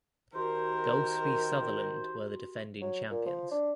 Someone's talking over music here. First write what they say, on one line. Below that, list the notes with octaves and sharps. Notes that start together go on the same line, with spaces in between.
Golspie Sutherland were the defending champions.
D#3 F#4 G4 A#4 C5 C6
F#3
A#2
F3
D4